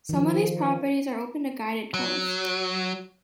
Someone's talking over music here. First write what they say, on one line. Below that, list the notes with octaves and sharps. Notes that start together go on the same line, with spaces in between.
Some of these properties are open to guided tours.
D#3 F3
F#3